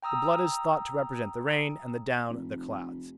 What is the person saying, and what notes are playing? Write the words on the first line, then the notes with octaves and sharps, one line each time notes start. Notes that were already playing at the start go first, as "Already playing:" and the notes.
The blood is thought to represent the rain, and the down the clouds.
G5 A#5 D#6 E6
F1